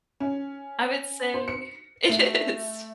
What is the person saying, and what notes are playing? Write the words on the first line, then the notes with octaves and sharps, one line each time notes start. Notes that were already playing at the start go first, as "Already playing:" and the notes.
I would say it is
C#4
C5
C#7
A3